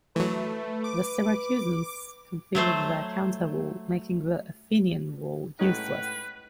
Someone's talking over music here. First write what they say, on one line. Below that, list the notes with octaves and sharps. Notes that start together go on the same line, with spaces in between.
The Syracusans completed their counter-wall, making the Athenian wall useless.
E3 F#3 A3 B4
D6
F#3 A3 C5
A2 G#3 C#4 D#4 B4 F#5 G5